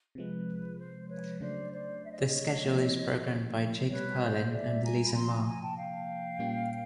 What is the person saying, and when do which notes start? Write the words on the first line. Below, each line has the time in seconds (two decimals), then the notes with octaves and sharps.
The schedule is programmed by Jake Perlin and Aliza Ma.
0.15 C3 F3 G#3 B4
0.79 C5
1.09 B4 C#5
1.40 C#3 F#3 A3 D4 C5 D5
1.72 C5 D5
2.03 E5
2.11 D#5
2.18 D5
2.26 C#5 D#5
2.65 C#3 F3 A#3 C#4 E4
3.89 B2 G3 B3 B4 C#5
4.21 C5 D5
4.52 D5 E5
4.83 G#5 A#5
5.05 B5
5.14 C3 F3 A#3 A#5 C6
5.30 G#5 A#5
5.46 G#5 A#5
5.61 G5 A5
5.76 F5 G5
6.39 A#2 G3 A#3 C#4 F4